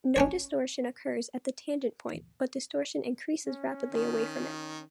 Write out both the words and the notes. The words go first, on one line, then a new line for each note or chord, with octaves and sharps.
No distortion occurs at the tangent point, but distortion increases rapidly away from it.
C#4 D4 C#5
C#4
D#3